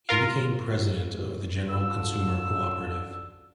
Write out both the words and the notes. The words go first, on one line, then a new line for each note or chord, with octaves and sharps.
He became President of the General Consumer Cooperative.
F4 A#4
D3 F3 C#4 F#4 E6